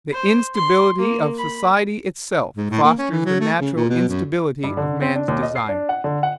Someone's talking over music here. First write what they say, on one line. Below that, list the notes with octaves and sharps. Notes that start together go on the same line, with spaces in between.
The instability of society itself fosters the natural instability of man's desires.
C5
C6
A#3
B5
G#2
A2
A#3
C#4
E3
F#3
A3
C#3
A#2
B2
F#2
G2
D3
C4
D4
D#2
D#5
C7
D4
F#5
D3
F#5